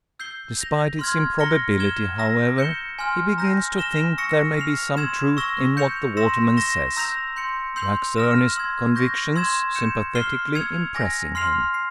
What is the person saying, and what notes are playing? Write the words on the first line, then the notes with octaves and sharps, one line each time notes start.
Despite its improbability, however, he begins to think there may be some truth in what the waterman says--Jack's earnest convictions sympathetically impressing him.
E6 G6 C7 G7
G6 A#6 F7
C6 F6 G#6
A#5 F6 A#6 C#7 G7
F6 G#6 E7 G7
A#5 E6 A#6
G6 C#7 E7 G7
G#5 C6 F6
A#5 E6 G6 A#6
F6 A#6 E7 G7
C#6 E6 A#6 C#7
F6 C7 F7
C6 E6 G#6 E7
C#6 E6 A#6 E7 G7
G6 C#7 F7
C6 E6 A#6 E7
E6 A#6 E7 G7
A#5 E6 G6 A#6 F7
C6 G6 C#7
C6 E6 G6 C7 F7
F6 A#6 E7
C6 E6 G#6
C#6 G6 A#6
C6 E6 G#6 E7
G6 C#7 E7
F6 C7 G7
E6 G#6 C#7 F7
G#5 E6 A#6
C6 F6 C7 F7
C7